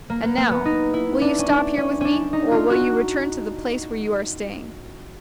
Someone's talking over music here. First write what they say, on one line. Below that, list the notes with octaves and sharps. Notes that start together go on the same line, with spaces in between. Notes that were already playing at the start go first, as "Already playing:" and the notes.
And now, will you stop here with me, or will you return to the place where you are staying?
A#3
B3
A#3
B3
D#4
E4
D4
C#4
D4
C#4
C#4 D4
D#4
F4
F#4